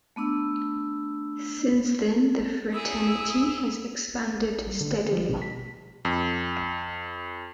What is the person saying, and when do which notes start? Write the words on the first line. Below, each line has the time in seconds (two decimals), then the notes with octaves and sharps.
Since then the fraternity has expanded steadily.
0.16 A3 B3 D4 E6
2.73 E4 G#4 D#6 E6
4.67 G3
4.81 D3
4.98 A3
5.12 F3
5.29 B2
5.42 B6
6.05 F2